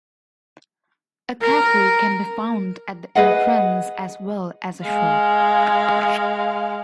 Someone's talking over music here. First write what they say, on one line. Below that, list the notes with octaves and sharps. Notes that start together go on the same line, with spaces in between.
A cafe can be found at the entrance as well as a shop.
A#4
G#4 B4 D#5 F#5
G#3 F5